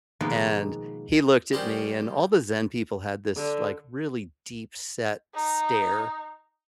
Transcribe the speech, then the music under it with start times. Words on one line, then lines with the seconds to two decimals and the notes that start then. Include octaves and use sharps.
And he looked at me, and all the Zen people had this, like, really deep-set stare
0.21 B2 D#3 F3 G#3 A#3 B3
1.53 D#3 G3 C#4 D#4 F#4 C5
3.37 D3
5.34 D#4